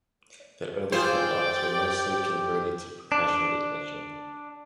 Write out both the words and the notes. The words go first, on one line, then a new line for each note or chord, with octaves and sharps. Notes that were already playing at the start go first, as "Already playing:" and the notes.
The early flintlocks were mostly converted to percussion ignition.
F4 G#4 C5 D5 G5 E6
G4 A6
D4